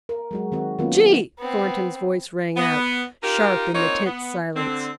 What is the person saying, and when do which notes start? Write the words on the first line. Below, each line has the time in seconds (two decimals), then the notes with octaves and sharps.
"Gee!" Thornton's voice rang out, sharp in the tense silence.
0.09 A#4
0.31 F#3 G#3 F#4
0.52 D#3 C4 F#4
0.79 D#3 F#3 A#3 B3 C#4 F4
0.96 F4
1.39 B3 C4
2.57 B3
3.23 D#4 F4 G4 A#4
3.74 A#3 C4 D#4 F4 C#5
4.06 B3
4.56 D3 C4